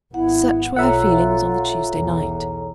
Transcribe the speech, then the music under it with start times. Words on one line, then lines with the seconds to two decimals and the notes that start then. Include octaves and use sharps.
Such were her feelings on the Tuesday night.
0.14 G#1 B3 E4 F#5
0.76 B1 F4 A4 C#5 E5 F#5 A#5
1.95 B1 E2